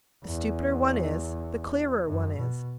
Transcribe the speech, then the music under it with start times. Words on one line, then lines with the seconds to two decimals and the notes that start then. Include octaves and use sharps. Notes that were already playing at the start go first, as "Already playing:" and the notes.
The stupider one is, the clearer one is.
0.25 E2
2.06 F#2
2.36 B2